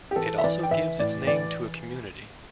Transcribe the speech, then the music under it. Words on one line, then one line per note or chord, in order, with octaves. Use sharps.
It also gives its name to a community.
G4
E3 A4
E5
E3 D5
G5
E3 E5
A2 D5
E3 D5